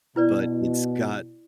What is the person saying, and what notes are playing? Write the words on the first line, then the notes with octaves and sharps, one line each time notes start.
but it's got
B2 E4 B4 D5